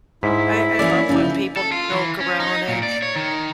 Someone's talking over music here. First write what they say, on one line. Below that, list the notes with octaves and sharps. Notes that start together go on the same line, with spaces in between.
I I love when people joke around, and
G#2 E4 B6
E3 A#3 C#4 D5 E5
C#3 F3 C#4 D#4
A4
F4
E3
C#4
D#4
A#2
D5
C#5
D#3